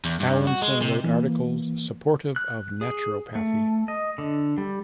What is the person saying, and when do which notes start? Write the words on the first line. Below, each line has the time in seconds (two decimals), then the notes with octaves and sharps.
Allinson wrote articles supportive of naturopathy.
0.05 E2
0.20 G2
0.47 F#4
0.62 G#3
0.82 C3
1.04 E3 A#3
2.36 F#6
2.81 G#4
3.35 A3
3.88 D#5
4.18 D3
4.58 G3